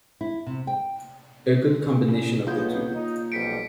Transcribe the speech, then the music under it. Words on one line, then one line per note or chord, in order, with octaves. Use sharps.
A good combination of the two.
E4
C3
G5
A#2 C#3
B1 A#3 B3 F4 G#4 C#5 G6
D#4
B1 F2 G3 B6 C#7 D7